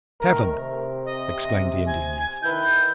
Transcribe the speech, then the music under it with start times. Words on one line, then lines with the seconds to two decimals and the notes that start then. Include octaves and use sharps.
"Seven!" exclaimed the Indian youth.
0.21 D#3 A3 A#4
0.53 C3
1.05 D#5
1.86 G#5
2.43 D#3 E4 B4 G6